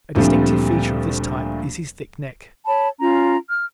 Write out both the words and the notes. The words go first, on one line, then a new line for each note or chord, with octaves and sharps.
A distinctive feature of this type is his thick neck.
D2 A#2 F3 G3 A3 C4
C#5 A5 B5
C#4 F4 A#5
F6